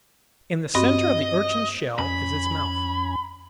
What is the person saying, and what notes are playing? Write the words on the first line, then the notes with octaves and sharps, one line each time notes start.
In the centre of the Urchin's shell is its mouth.
G2 C4 F#4 D#5
F2 C#4 G#5 B5